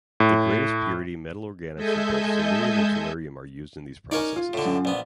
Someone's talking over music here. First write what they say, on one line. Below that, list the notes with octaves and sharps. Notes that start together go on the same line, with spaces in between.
The greatest purity metalorganics of both selenium and tellurium are used in these processes.
A2
G#3 A4 D#5 E5 G#5 G6
C#4 D#4 A#4 C#5 D5
F4
A2 D3
F#2
A#1 B3 D5